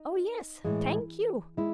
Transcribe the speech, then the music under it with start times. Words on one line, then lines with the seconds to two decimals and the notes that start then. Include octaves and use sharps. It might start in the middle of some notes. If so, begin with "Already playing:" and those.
Oh yes--thank you.
Already playing: D#4
0.65 A2 E3 G#3
1.57 G#3 E4